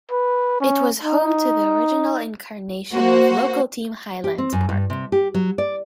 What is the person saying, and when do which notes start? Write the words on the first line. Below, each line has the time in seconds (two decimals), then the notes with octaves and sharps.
It was home to the original incarnation of local team Highlands Park.
0.11 B4
0.61 C#4
1.04 D#4
2.93 A#3 F#4 C5
4.24 G4
4.38 C4
4.53 F#2
4.69 G2
4.90 C3
5.12 G4
5.34 F#3
5.58 D5